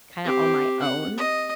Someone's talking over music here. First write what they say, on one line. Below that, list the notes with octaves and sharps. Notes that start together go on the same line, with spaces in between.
kinda on my own,
C4 G4
F#5
D#5